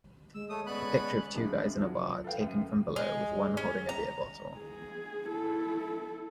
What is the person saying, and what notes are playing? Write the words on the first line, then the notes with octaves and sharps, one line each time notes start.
A picture of two guys in a bar taken from below with one holding a beer bottle.
G#3 E6
A3 C#5 D#6
B3 C#4 D5 B5 C#6 F#6
B1 F#2 C4 D4 G#4
F3 F#3
A4 B4 F5 G5
F#2 D#7
G#3
C#4
A#5
G#4
E4 A4